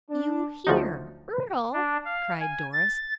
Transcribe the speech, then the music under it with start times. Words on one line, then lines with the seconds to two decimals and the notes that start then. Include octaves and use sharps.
"You here, Earle!" cried Doris.
0.10 D4
0.67 D2 F3 F#3 D#4
1.73 D4
2.05 F5
2.40 G#5
2.73 A6